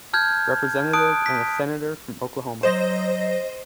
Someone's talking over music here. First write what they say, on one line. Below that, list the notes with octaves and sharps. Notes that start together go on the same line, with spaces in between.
Representative and a Senator from Oklahoma.
A5 F6 G6 G#6
A5 D#6 F#6 D7
B6
F#3 C5 D#5 A#6